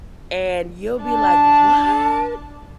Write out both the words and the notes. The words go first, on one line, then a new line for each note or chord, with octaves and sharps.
And you'll be like, "What?"
D4 A5